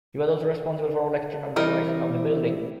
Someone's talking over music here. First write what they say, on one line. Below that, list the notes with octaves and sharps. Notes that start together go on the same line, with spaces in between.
He was also responsible for all the external decorations of the building.
E3 G3 C4 D#4 E4 A#4